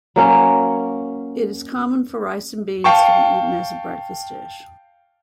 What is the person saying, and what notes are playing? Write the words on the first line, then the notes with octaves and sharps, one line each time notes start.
It is common for rice and beans to be eaten as a breakfast dish.
F#3 A#3 C#4
F5 G5 A5 C#6